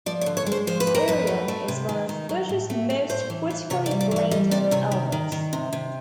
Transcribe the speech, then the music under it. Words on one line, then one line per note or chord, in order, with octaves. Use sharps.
"Aerial" is one of Bush's most critically acclaimed albums.
F3 D5
C#5
D3
C#5
G#3
C5
F3 C5
B4
F2
A#4
F2 B4
A3
A3
C3
D#3
D#3
F#3
A2
A3
A3
A2 C5
E3
E3
C3 C#5
D5
G3
D5
E3 C#5
G3 D#5
C3 D5
C3 C#5
D#3
D#3
D#3
C3
C3